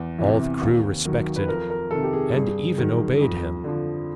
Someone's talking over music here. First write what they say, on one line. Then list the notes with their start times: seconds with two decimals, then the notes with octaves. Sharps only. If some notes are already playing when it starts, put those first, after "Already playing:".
All the crew respected and even obeyed him.
Already playing: E2
0.19 C3 E3
0.62 D#2
1.05 D#3 F#3
1.36 B4
1.47 F2 A#4
1.70 A#4
1.91 C3 D#3 A4
2.03 G4
2.13 G#4
2.34 G2 G#4
2.77 D#3 F#3
3.21 F2
3.64 D3 F3